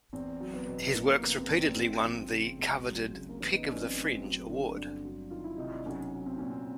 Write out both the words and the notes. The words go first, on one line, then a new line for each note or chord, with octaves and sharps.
His works repeatedly won the coveted "Pick of the Fringe" award.
E2 C4
F#3
B3
B2
F3 A#3
A#3
B3
C#3
C4
E2
C4
D2
F3
C#3
C#2
F#3
C#3
A#3
A1 B3
D#4
D4
F#3 C#4
C4
A2
F#3
D3
G2
F#3
D#3 F4
E4
C3 D#4
D4
B1 C#4
F#3
C4
A#2 C#4
C4